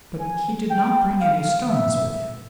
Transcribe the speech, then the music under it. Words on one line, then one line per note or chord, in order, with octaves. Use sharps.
But he did not bring any stones with him.
G#5
G5
F5
E5